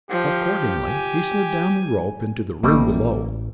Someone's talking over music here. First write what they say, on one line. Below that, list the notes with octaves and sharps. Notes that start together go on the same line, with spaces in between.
Accordingly he slid down the rope into the room below.
F3 G4
G#5
A1 G3 A3 A#3 D5 D#5